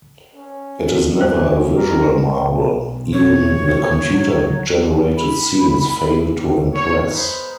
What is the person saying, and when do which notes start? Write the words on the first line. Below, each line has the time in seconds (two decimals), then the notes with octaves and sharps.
It is never a visual marvel - even the computer-generated scenes fail to impress.
0.35 C#4
1.21 C#4 C5
1.75 A#4
2.45 B1
3.13 C#5
4.07 F#3
5.17 B5
6.72 C#5
7.11 G#3 B3 A#4 C5 B5